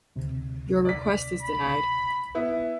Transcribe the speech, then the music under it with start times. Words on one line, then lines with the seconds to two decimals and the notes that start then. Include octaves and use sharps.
Your request is denied.
0.16 D2 C3
0.85 D5 B6
1.42 B5
2.35 B3 E4